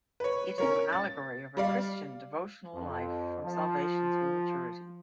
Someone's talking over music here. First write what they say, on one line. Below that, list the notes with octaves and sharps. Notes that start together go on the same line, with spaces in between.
It is an allegory of a Christian devotional life from salvation through maturity.
B4 C#5
C#4 A#4 C#5
A6
G3 D5 F5
F2
F3